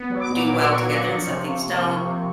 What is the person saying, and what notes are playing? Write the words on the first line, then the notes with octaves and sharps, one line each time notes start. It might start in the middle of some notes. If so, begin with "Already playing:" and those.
do well together and some things don't.
Already playing: B3
F#3
D6
A#2
A#2
F#3 C#6
F#3 C#6
F3
C3
C3
A#3
C3
C3